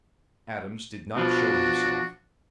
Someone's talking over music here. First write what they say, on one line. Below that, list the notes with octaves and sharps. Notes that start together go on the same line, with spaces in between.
Adams did not show himself.
B2 F3 D4 F#4